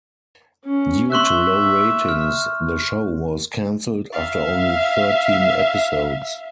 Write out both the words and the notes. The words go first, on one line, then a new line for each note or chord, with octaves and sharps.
Due to low ratings, the show was cancelled after only thirteen episodes.
C#4
E5 C6 C#6 F#6
F6
E5 F5